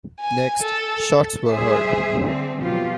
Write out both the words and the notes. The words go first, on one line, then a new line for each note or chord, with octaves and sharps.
Next, shots were heard.
G#5
A4
G3 G#4 C5 E5
D3 C4
B2 F3 F#3 F4 G4